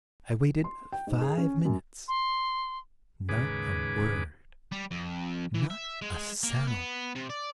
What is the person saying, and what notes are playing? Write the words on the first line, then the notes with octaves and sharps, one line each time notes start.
I waited five minutes--not a word, not a sound.
C6
G5
G#2
G#4
C#4
F#2
C6
D#2 G#2 C#3 G#4 B4 D6
G3
F2
E3
E5
G#3
A#3
B3
C3
D5